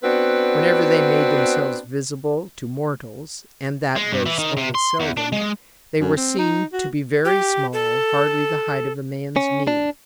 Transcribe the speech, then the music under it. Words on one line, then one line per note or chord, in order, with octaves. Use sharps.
Whenever they made themselves visible to mortals--and that was only seldom--they were seen to be very small, hardly the height of a man's knee.
B3 C4 D4 F#4 B4
G#3
G2
E3
D#3
C3
C6
E2
D4
G#3
F#2
C4
D#4
F#4
G4
A4
C#4
D4